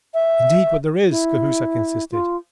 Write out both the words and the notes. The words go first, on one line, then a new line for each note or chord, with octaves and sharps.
"Indeed, but there is," Cahusac insisted.
E5
E4
F4